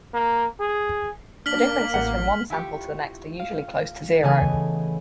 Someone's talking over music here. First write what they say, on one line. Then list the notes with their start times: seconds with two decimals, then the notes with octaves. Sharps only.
The differences from one sample to the next are usually close to zero.
0.14 A#3
0.60 G#4
1.46 A#3 D4 F6 B6 F#7
1.94 A1 F#5
2.50 E4 F4 G4 C#6
3.39 F5
4.23 C#3 E3 A3 B3 D#5 G#5